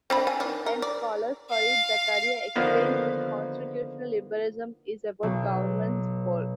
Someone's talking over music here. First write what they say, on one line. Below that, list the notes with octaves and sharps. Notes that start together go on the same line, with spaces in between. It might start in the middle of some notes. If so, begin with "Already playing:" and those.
The journalist and scholar Fareed Zakaria explains that constitutional liberalism is about government's goals.
C4 D4 B5
G#5
D#3 D4
A#4
D5
F5
D3 D#3 F3 A#3 B3
B1